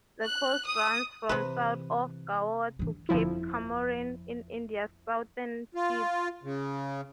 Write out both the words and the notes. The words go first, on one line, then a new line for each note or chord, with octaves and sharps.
The coast runs from south of Goa to Cape Comorin on India's southern tip.
F#6
D#6
C3 E3 B4
E3 D4
G1 F2 F3 E4
F4
C#3